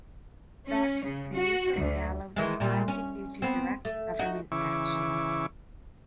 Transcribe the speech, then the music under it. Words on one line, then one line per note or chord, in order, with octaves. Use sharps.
Thus, the use of Gallo declined due to direct government actions.
C#4
C#3
F#4
D2
D#3 E3 G#3
A#2 G3
C#4
B3 C4
A3
D#4 F#4
C#3 E3 E4 C#6 D6